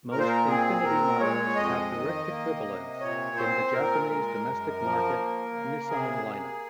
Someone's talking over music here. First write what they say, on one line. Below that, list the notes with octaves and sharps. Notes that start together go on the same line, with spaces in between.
Most Infiniti models have direct equivalents in the Japanese domestic market Nissan lineup.
A#2 A#4
C5
A#4
C4 G#4
A#2 A#4
G#3 C#5
F2 D#5
D#3
A#3
C3
A#2 C#5
C4 C5
A#2 A#4
G#3
F#2
F3
A#3
C#3
C3 G#4
A#3